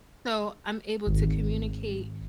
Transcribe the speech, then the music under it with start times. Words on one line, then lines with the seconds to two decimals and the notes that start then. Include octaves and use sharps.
so, I'm able to communicate
1.06 G#1